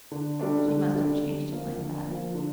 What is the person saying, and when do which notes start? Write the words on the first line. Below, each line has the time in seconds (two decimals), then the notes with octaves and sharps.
She must have changed him like that.
0.11 D3
0.39 G3 D4 A4 D5
0.68 D3
0.95 G3 D4 A4 D5
1.23 D3
1.51 F3 A#3
1.79 D3
2.07 F3 A#3
2.34 D3